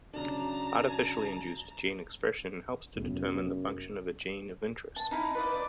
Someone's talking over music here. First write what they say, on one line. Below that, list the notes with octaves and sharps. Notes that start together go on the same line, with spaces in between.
Artificially induced gene expression helps to determine the function of a gene of interest.
C#3 F#3 D4 A5 A#5
F1 F#2 A2 B3
A5
D#4 E4 F5
B4 D5 D#5
D5